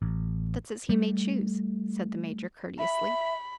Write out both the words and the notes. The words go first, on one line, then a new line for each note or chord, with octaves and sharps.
"That's as he may choose," said the Major, courteously.
A1
G3 A3
E5 B5